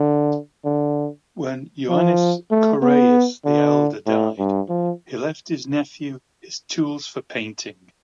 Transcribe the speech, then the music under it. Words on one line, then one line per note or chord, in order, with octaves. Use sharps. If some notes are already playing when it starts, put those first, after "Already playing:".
When Ioannis Korais the elder died he left his nephew his tools for painting.
Already playing: D3
D3
F3
A3
B3
D3
A2
G2
F3